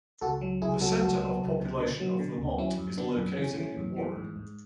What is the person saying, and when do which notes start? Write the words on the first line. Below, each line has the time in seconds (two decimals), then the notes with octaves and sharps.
The center of population of Vermont is located in Warren.
0.21 C#2 F#4 A4
0.41 F#3
0.62 C#2 E4 G#4
0.81 F#3 F#4 A4
1.01 C#2 F#4 A4
1.21 F#3
1.41 C#2
1.60 B2
1.79 D3
2.00 F#3
2.19 D3
2.38 D2
2.58 F#3 C#4 E4
2.78 F#2
2.97 D3 B3 D4
3.17 F#2
3.37 E3 C#4
3.57 E3
3.77 F#2
3.96 E3
4.16 G#2
4.36 G#2